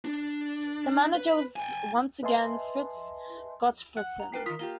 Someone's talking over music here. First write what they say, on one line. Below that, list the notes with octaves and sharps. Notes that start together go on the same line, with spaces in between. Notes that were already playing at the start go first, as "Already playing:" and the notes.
The manager was once again Frits Gotfredsen.
D4
B4
G5 G#5
B4 D#5 E5 G#5 A5 C6
F#5 F#6
A#5
D4 A#4 B4 G5 C7
D#3 F4 D#6 B6
A#3 F4 G4 G7